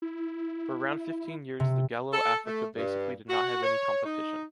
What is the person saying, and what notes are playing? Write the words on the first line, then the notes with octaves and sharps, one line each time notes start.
For around fifteen years the “Galo Africa” basically did not have any competition.
E4
C3
A4
A3
G2
F#4
C#5
D#4